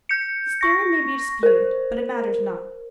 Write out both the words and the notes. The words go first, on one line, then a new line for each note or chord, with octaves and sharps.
This theory may be disputed, but it matters not.
G6 C#7
C#6 A#6
A#4 C5